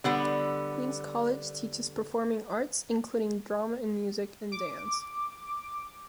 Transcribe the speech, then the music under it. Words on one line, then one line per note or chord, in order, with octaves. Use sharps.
Queen's College teaches performing arts, including drama and music, and dance.
D3 G3 B3
D6